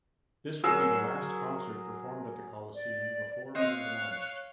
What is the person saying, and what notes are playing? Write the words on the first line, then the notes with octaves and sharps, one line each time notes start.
This would be the last concert performed at the Coliseum before being demolished.
F#3 G#4 A#4 E6
D5
C4 C#5 D#5 F5 F#6